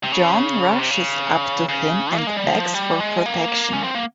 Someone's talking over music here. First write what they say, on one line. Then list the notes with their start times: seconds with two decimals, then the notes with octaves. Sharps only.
John rushes up to him and begs for protection.
0.04 C3
0.12 C#3
0.79 C3
0.91 C#3
1.69 C#3
2.16 A#3
2.27 G#3
2.37 G3
2.47 F3
2.74 G3
3.00 G#3
3.26 A#3
3.73 C#4
3.84 C4
3.94 A#3